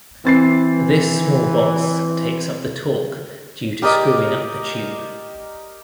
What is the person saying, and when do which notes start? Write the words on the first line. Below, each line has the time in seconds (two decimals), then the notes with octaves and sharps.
This small boss takes up the torque due to screwing up the tube.
0.25 E3 C4 A6 C7
3.82 G4 A#4 D5 D#5